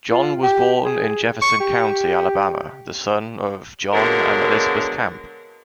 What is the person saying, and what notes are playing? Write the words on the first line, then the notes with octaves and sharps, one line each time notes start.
John was born in Jefferson County, Alabama, the son of John and Elizabeth Camp.
F4
G4
G#4
C#6
G4
B2 D3 F#3 G#3 A#3 A#4